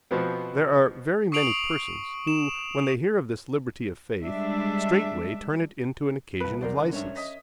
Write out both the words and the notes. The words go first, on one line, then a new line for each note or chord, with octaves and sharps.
There are very many persons who, when they hear of this liberty of faith, straightway turn it into an occasion of licence.
B2 F3 B3 C4
C#6 D#6 C7 D7 F7 F#7
E7
G3 G#3 D4 E5
C2 B4 F#6
B1 E2 F#3 A#4 C5 D5
D3
G2 C#4 D4 C#5 E5
D#5 D#6 B6